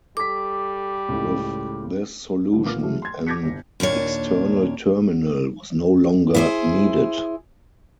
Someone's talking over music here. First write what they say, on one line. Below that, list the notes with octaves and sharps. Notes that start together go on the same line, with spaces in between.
With this solution an external terminal was no longer needed.
G3 A4 D6 B6
C#2 A2
C2 D3 E3
A#2 B3 A#4 D6 F6
E3 F#3 A3 G#4
C6 G#6
D6 G6 G#6 A#6 B6 C#7
G1 C2
D#2 A#2 D4 C#5
E4 G#4 C5